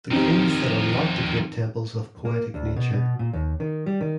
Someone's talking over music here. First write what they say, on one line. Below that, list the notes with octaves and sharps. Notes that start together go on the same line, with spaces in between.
The keys that unlock the great temples of poetic nature.
D#3 F3 C4 D#4 G4
A#3
D2
B2
B2
A#2
D#2
D#3
G3
D#3